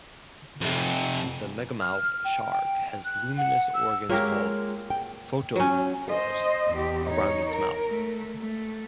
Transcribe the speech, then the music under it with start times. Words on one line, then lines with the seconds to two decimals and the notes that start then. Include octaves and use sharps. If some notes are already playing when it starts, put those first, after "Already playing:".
The megamouth shark has luminous organs called photophores around its mouth.
0.61 F2 C3
1.81 F6
2.24 G5
2.52 G5
3.05 F#6
3.38 F#5
3.74 E6
4.10 G#3 A#3 F4 G4 A#4 C#5
4.90 G5
5.56 F#3 C#4
6.09 C5 D#5
6.73 E2 G4
7.05 D#4 C#5
7.51 A#4
7.89 A3
8.41 A3